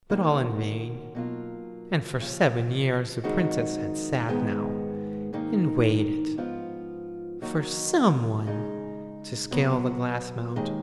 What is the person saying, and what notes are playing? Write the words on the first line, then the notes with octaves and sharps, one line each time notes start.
But all in vain, and for seven years the Princess had sat now and waited for some one to scale the Glass Mountain.
D#3 A#3 C#4 F#4
B2 F#3 A#3 F4
D#2 C#3 F3
F2 D#3 G#3 D#4 F#4
G#2 D#3 G#3 B3
G#2 D#3 A#3 D#4
G#2 F3 B3 F4
D#3 F#3 A#3 D#4 F#4
C#3 G#3 D#4
B2 F#3 B3
D#2 D#3 G#3